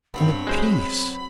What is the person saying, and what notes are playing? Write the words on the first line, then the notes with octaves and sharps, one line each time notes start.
And the peace!
G2 B3 C4 C#5 B5
F#3 G#3 C5